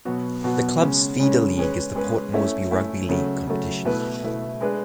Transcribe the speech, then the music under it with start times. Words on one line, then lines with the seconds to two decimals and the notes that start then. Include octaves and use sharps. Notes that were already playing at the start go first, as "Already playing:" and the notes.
The club's feeder league is the Port Moresby Rugby League competition.
0.05 B2 F#3 B3 F#4
0.44 B2 F#3 B3 F#4
0.81 C#3 G#3 C#4
1.19 C#3 G#3 C#4
1.57 G#3 C#4 G#4 B4
1.95 G#3 C#4 G#4 B4
2.34 A3 C#4 E4
2.71 A3 C#4 E4
3.09 C#3 F#3 A3
3.47 C#3 F#3 A3
3.85 B2 A3 E4 B4
4.23 B2 A3 E4 B4
4.61 G#3 D4 G#4 B4